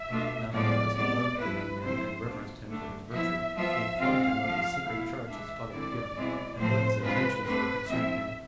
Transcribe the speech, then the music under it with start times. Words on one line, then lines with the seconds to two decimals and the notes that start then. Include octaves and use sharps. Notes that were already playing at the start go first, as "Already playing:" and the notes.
Now, because he loved the young man, and reverenced him for his virtue, he informed him of the secret charge his father had given, and what his intentions were concerning him.
Already playing: E5
0.09 B2 A3 D4 F4
0.53 A2 F3 G#3 B3 D5
0.96 C3 G#3 B3 D5
1.39 F3 A3 E4 B4
1.83 C3 F3 G#3 C4 E4 C5
2.25 B2 A3 D4 F4
2.69 D3 A3 D4
3.12 F3 B3 E4 E5
3.56 F3 B3 F4 E5
3.99 C3 G#3 C4 F4 F5
4.42 F3 A3 D4
4.85 B2 A3 E4
5.28 E3 G#3 D4 E5
5.72 D3 G#3 C4 E4 D5
6.16 B2 G#3 C4 E4
6.59 A2 F3 A3 C4 C5
7.02 D3 F3 G#3 C4 F4 B4
7.45 D3 A3 C4 B4
7.89 F3 A3 C4 E4 E5